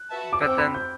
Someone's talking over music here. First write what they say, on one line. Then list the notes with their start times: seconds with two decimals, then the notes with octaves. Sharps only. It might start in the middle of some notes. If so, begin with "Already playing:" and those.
But, then
Already playing: F#6
0.10 F#4 B4 E5 A5
0.33 D6
0.42 C4 F#4 C5 G5 E6
0.58 B5
0.74 G6